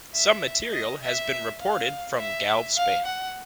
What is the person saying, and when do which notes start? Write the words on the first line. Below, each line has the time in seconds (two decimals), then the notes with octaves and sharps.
Some material has been reported from Galve, Spain.
0.14 E5
0.72 D#5
1.02 E5
1.60 F5
2.18 E5
2.77 F5
3.05 F#5